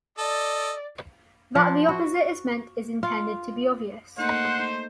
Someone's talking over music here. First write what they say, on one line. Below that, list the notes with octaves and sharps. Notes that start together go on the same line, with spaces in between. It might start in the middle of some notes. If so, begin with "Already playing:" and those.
That the opposite is meant is intended to be obvious.
A4 D5 D#5
F3
F#4
F4
A3 A#3 D#4 C5 F#5